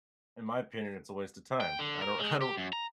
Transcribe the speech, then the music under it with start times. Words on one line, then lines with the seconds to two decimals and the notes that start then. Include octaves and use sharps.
in my opinion, it's a waste of time, I don't I don't
1.61 G5
1.79 D3
2.02 A#4
2.19 G#3
2.42 G4
2.58 F#2
2.73 A#5